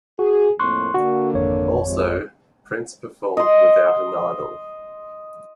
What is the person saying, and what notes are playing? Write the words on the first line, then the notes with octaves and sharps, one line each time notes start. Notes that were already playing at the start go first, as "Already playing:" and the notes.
Also, Prince performed without an Idol.
F#4 G#4
F2 A2 A#3 C6 C#6 F#6
D3 A#3 F#4
G#1 F2 C#5
C3 F3 G#3
D#5 C6